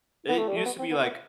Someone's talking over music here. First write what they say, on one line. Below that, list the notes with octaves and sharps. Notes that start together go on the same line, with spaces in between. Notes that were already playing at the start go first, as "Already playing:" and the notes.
it used to be like,
B3
A3
G3
A3
B3
C4
B3
B3